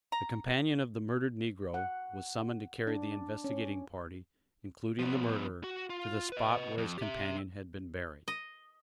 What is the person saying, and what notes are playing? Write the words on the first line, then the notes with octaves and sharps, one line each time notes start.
The companion of the murdered negro was summoned to carry the investigating party, including the murderer, to the spot where his companion had been buried.
A#5
F#5
D4
C#4
F3 B3
F#4
F4
B4 D#5
F2
G4 E5
D#5